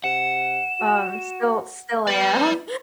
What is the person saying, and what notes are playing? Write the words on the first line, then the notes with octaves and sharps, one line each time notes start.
um, still still am.
C3 F#5 E7
F#4
B3 D5 B5 A6